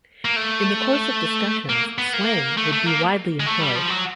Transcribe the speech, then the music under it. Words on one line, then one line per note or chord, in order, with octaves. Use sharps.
In the course of discussions, slang would be widely employed.
A#3
A3
A#3
B3
A#3
A3
A3
A#3
G#3
A3
G3
F3
F#3